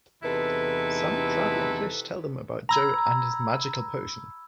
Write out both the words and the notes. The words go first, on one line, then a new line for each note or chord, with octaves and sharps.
Some traveling fish tell them about Joe and his "magical potion".
E2 C3 D#4 E4 A4 B4
A#5 B5 E6 G#6